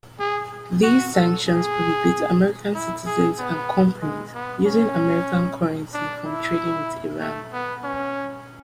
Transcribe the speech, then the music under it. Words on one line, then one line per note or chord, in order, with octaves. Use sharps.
These sanctions prohibit American citizens and companies using American currency from trading with Iran.
G#4
F#4
A4
G#4
E4
G#4
B3
G#3
B3
C#4
D4
E4
A3
B3
C#4